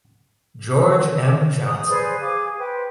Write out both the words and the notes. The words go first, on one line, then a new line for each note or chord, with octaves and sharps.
George M. Johnson.
D#6
G#4 B4 C5 D5
G#4 F5 D6
B4 C5 G5